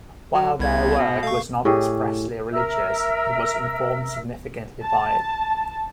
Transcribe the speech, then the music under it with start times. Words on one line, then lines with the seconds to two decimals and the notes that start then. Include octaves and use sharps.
While their work was not expressly religious it was informed significantly by it.
0.34 F#3
0.60 C2 C3 B3 G#6
0.97 B2
1.23 A3 F5 C#6
1.65 A2 G4 G#4 D#5
2.52 A#4 E5 E6
4.84 A5